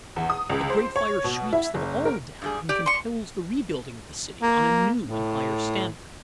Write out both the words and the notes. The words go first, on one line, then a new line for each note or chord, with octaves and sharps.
A great fire sweeps them all down and compels the rebuilding of the city on a new and higher standard.
E2
D#6
C#2
C5
C#5
B2
E4
F#1
A#4
G2 G3 G#4
G4 D5
C6 C#6
A#3
A2